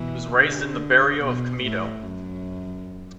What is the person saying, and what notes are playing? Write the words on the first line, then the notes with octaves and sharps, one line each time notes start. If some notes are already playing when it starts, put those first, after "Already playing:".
He was raised in the "barrio" of Camito.
Already playing: B2 E3
D3
B2
A2
F#2